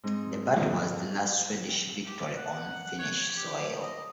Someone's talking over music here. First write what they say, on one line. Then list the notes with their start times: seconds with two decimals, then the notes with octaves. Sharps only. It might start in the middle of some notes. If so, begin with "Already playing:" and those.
The battle was the last Swedish victory on Finnish soil.
0.04 G#2 C4 D#4
0.56 F2 B3 E4 F4 B5
2.06 G4
2.35 F#5
2.99 C#5
3.17 C#5
3.37 G4
3.83 D#5